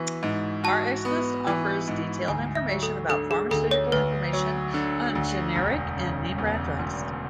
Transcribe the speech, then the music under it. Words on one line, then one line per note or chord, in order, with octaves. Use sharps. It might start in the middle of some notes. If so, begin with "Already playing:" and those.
RxList offers detailed information about pharmaceutical information on generic and name-brand drugs.
Already playing: E3 B3 F#4
G#2
F#4 A5
B3
E3
G#2
D2 G#5
E5
F#3
A4
D3 A4
G#4
D2 A4
C#5
D2 B4
F#3
D3
D2
E1
C#3
E2
E1